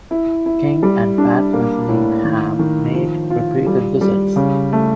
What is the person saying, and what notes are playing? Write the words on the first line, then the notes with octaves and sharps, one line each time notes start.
King and Pat Metheny have made repeated visits.
E4
E4
G3
D4
A#3
A2
D#3
D#3
F3
F4
G3
G3
C#3
A3